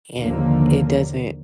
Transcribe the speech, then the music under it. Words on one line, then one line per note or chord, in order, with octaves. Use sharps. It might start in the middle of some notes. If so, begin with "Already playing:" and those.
And, it doesn't
D#2 D3 F3 A#3